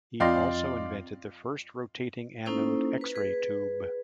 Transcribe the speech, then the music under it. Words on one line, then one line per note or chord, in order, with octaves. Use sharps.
He also invented the first rotating anode X-ray tube.
F2 C4 F4 D5 D#5 F5 G5 C6
A#3 C#4 D#4 E4 A4 C5
B4
G#4 B4